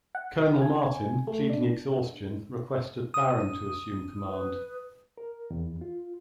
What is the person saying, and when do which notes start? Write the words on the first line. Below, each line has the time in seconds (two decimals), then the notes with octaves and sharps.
Colonel Martin, pleading exhaustion, requested Barron to assume command.
0.15 F#5
0.62 G#5
1.27 A3
1.50 D4
3.14 D#6
4.27 B4
5.18 A#4
5.50 E2
5.81 F4